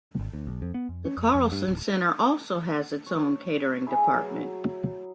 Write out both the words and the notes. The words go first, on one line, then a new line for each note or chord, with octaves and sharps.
The Carlson Center also has its own catering department.
G#1
D2
B1
F2
B3
F2
C#4
F2
F2
G2
D1
C#5
E4 G#4 B5
F#3 A#5